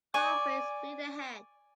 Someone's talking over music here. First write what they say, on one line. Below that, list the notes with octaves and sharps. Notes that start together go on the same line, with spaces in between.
Halfway speed ahead!
D5 G#5 C#6